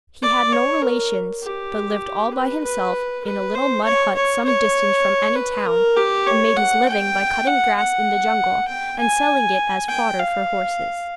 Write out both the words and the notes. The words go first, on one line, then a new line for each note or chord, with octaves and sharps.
He had no relations, but lived all by himself in a little mud hut some distance from any town, and made his living by cutting grass in the jungle, and selling it as fodder for horses.
D5
C#5
A#4
G4
B4
B4
B4
C5
C#5
C#5
C#5
B4
A#4
G4
C#5
F#5
G5
F#5
F#5
G5
G#5
G5
F5